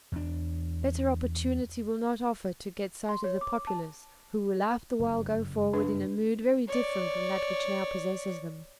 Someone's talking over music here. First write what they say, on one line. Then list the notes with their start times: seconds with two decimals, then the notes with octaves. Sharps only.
Better opportunity will not offer to get sight of the populace who will afterwhile go forward in a mood very different from that which now possesses them.
0.12 E2 D4
3.09 C6
3.24 C#5
3.41 D6
3.67 A5
4.99 F#1 G2
5.73 D4 B4
6.68 C#5 D5